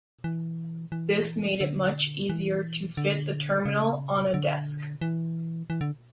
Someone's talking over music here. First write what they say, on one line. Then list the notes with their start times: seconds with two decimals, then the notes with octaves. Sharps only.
This made it much easier to fit the terminal on a desk.
0.24 E3
0.92 E3
1.61 D3
2.29 E3
2.97 D3
3.65 C#3
4.34 D3
5.01 E3
5.70 E3
5.81 D3